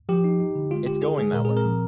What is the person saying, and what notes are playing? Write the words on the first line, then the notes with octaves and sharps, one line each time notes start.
It's going that way.
F3 G4
D#4
D#4
D3
G#3 F4
D3 G4
D#4 G#4
G#3 G#4
A#2 A#4
C4 G#4
A#4
F3